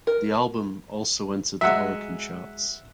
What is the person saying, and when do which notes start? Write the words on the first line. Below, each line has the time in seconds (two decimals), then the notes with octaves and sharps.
The album also entered the Oricon charts.
0.07 A#4
1.61 F#3 G#3 E5 F#5